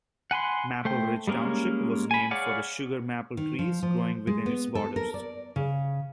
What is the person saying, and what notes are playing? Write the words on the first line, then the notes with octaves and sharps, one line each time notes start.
Maple Ridge Township was named for the sugar maple trees growing within its borders.
F#5 G#5 B5 C6
A3 C5 G5
G3 G#3 A#3 C#4 A#4
G#5 B5
G#4 C#5 D5 F5 F#5
D#3
F3
F3
G#3
B3
A4
A#4
D5
C#3